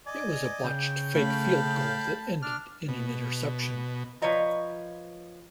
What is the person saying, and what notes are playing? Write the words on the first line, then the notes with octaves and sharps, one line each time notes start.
It was a botched fake field goal that ended in an interception.
D5 D#5 G#5
C#3 G5
A3 C#4 F5 A5 B5
D4 F6
B2
F3 B4 C#5 D#5 A#5